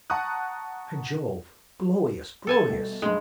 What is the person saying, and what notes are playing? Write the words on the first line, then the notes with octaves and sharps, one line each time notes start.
By Jove! glowious! glowious!
F#5 A5 A#5 C#6 D#6 F#6
A4 G#5 A5
B2 G3 A3
B1 G2 G#3